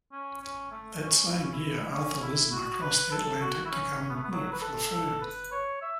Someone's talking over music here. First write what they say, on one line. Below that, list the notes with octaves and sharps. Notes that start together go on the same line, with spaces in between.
That same year Arthur Lismer crossed the Atlantic to come work for the firm.
C#4
C#4
A3
C#4
E4
C#4
E4
C#4
E4
F#4
B4
A4
F#4
E4
C#4
C#4
B3
A3
B3
F#3
B4
A4
A4
B4
C#5
E5